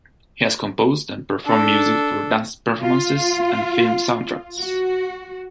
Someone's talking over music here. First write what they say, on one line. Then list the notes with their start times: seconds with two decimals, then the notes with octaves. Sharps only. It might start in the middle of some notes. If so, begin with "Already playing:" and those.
He has composed and performed music for dance performances and film soundtracks.
1.45 D4 A4
2.81 F4
4.60 F#4